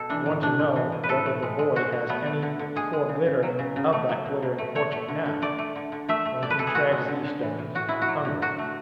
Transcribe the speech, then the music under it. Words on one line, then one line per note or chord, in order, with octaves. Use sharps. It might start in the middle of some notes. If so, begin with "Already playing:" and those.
I want to know whether the boy has any foreglittering of that glittering fortune now, when he treads these stones, hungry.
Already playing: B2 A4
E3 D4
A2
A2 D4
G#3
E3
A2
B4
A2 A4
A3
G#3
G#3
B2 F#4
B2
A3 B3
A3
D3
D3
G#3 G#4
G#3
C#3
C#3
F#3
C#3
C#3
A3
F#3
B2
B2
A3
A3 C#5
A3
D3
D3
A3 D5
A3
D3
D3
A3 E5
A3
B2 D5
B4
B2 A4
G#4
G#3 F#4
G#3
D3
D3
E3
A2
A2 F#4
G#3 E4
F#4
F#3
D3
D3 F#4
A3